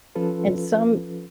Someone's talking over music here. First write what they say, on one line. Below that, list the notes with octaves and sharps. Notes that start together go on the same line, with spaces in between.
And some
F3 C#4 F4 A4 B4